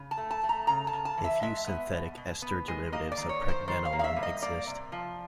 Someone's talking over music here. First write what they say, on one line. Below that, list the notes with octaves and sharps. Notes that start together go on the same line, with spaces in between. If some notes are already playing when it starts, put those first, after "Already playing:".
A few synthetic ester derivatives of pregnenolone exist.
Already playing: C#3
A5
A3
A5
A3
A#5
C#3 A#5
A5
C#3
A5
E3
E5
G#3 E5
B3
B2
B2
B3
G#3
A#3 D#5
D5
D#3
C#5
D#3
C5
D#3 C5
F5
A#3
F5
E5
G3
D#5
A#3 D5
C3
F3